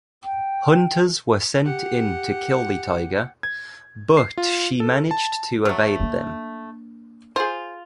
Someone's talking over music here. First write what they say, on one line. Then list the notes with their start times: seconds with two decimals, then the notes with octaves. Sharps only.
Hunters were sent in to kill the tiger, but she managed to evade them.
0.23 G5
1.64 G4 F#5
3.43 G#6
4.17 C7
4.38 F4
4.80 A4
5.11 A5
5.65 F#3 A3
6.00 A#3 D4
7.36 F4 G#4 C5